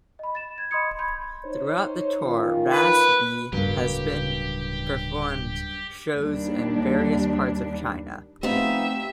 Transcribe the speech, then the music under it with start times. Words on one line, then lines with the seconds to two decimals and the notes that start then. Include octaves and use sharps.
Throughout the tour Raz B has been performed shows in various parts of China.
0.19 D#5 B5
0.35 A6 E7
0.58 G#6
0.71 D#5 B5 C6 D#6 G#6 C#7
0.99 B5 C6 G6 G#6
1.46 D#4 C5 C#5
2.24 D#3 C#4 F4
2.73 B4
3.53 D1 G2 C#3 F#3 A#3 G4
6.16 D#2 G3 D4
8.43 F3 A3 B3 C4 D#4 G4 E5